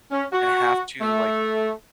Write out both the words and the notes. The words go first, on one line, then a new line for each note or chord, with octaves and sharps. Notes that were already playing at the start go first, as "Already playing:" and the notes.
and have to like
C#4
F#4
A3